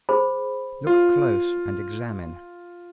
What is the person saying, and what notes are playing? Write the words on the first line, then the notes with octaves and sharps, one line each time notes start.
"Look close, and examine."
G#4 C5 B5
F4